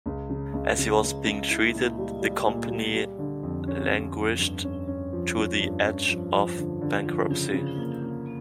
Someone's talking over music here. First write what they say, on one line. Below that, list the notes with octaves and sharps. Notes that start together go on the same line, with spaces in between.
As he was being treated, the company languished to the edge of bankruptcy.
C#2
C#3
C#2
C#3
C#2
C#2
E4
A#2
G3
G3
A#2
G3
G3
D3
F2
C#4
C#4
F2
G2
C#4
C#4
F3
C#4
G2
C#4
F3
F3
D3
D3
F3
C#3
C#3
A#3
A#3